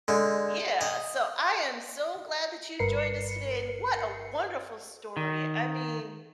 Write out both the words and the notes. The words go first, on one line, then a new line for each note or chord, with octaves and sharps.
Y yeah so, I am so glad that you joined us today, and what a wonderful story, I mean,
D3 G#3
D#5
G1 G2 A#4 B4 C7 C#7
D#3